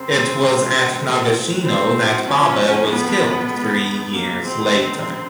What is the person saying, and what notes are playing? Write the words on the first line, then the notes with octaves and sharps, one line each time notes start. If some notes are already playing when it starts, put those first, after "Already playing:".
It was at Nagashino that Baba was killed, three years later.
Already playing: F#2 C#3 C4
G#1
F#2
C#3
C#3
F#2
G#1
A3
A3
A3
A2
A2 C4
A3
A3
F#3
F2 C#4
F3
F3
F2
F3 B3
F2
C#3
C#3
G#3
E2
E2
E2
E2 A#3
B2
E2 C4
G#3
D3
F#2